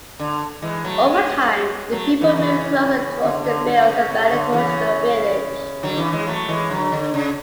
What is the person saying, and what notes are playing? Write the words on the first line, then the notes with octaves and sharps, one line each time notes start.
Over time, the people moved closer towards the fields, abandoning the original village.
D3
E3 G#3
F#3 A3
G#3 B3
F#3 A3
C#3 E3
C#3 E3
D3
D3
D3
C#3
C#3
D3
C#3 E3
D3 F#3
C#3 E3
E3 G#3
F#3 A3
E3 G#3
D3 F#3
D3
C#3